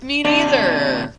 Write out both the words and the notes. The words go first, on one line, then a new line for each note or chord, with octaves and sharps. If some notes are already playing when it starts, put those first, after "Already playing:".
Me neither!
D#2 C3 D4